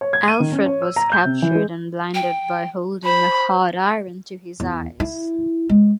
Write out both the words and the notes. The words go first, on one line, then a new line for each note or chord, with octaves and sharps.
Alfred was captured and blinded by holding a hot iron to his eyes.
C#5
G#6
D#7
D#3
C#4
C#5
E6
A#5
G6
C3
E3
G#3
G5
C5 B5
E2
E4
G#3